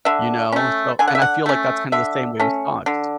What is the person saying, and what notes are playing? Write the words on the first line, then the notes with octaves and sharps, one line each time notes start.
you know? So and I feel like that's kinda the same way with dogs.
D3 E5
A3 C#4
D3 G#5
F#5
E5
F#5
A3 C#4
D3 E5
A3 C#4
D3